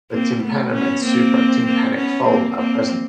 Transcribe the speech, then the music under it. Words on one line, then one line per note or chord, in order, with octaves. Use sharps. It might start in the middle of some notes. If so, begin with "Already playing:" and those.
The tympanum and supratympanic fold are present.
A#3 C4
A3 B3
B3 C#4
A#3 C4
A#3 C4
B3 C#4
A#3 C4
A#3 C4